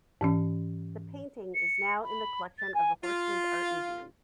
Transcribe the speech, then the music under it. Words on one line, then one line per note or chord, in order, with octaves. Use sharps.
The painting is now in the collection of the Horsens Art Museum.
G#2 E3 C#4
C#7
B5
A6
G#5
F4